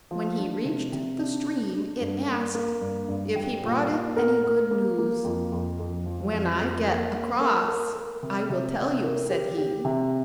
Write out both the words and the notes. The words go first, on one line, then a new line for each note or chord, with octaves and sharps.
When he reached the stream it asked if he brought it any good news. 'When I get across I will tell you,' said he.
F3
D4
C3
C3
D4
D4
D4
G2
A#3
A#3
G2
G2
G3
A#2
A#2
A#4
A#4
A#3
A#3
F2
F2
F2
F3
F2
F2
A#3
A#3
A#4
A#4
A#4
C3
C3
C3
A#4
G4
G4
C3